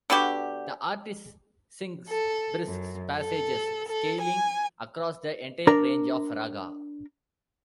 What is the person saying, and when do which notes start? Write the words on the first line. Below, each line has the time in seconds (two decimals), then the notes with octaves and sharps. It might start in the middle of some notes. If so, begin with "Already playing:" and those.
The artist sings brisks passages scaling across the entire range of raga.
0.10 D3 B3 F#4 G4
2.08 A4
2.64 F#2
3.17 A4
3.86 A4
4.20 G#5
5.67 D4 A#4 A#5